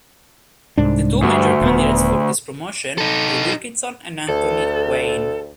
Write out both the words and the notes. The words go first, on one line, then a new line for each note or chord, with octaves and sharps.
The two major candidates for this promotion were Wilkinson and Anthony Wayne.
C2 G#2 D4
D2 G2
D#1 B3
D#4 A4
D2 A4